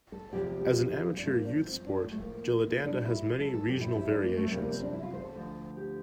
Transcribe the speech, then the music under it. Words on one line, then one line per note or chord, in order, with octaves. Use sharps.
As an amateur youth sport, gilli-danda has many regional variations.
A4
E2 C3 F3 G4
G4
G4
F4
C4
G2 F3 D4
A3
A#3
D4
C4
C4
D4
A2 F3
A3
A#3
A#3
F2 E3 G3 D4
E4
A4
A4
G2 F3 G4
E4
E4
D4
A#3
A3
C4
E2 C3 F3 A#3
A#3
C4
D4
E4
F4
C5
A4
D2 D3 F3
G4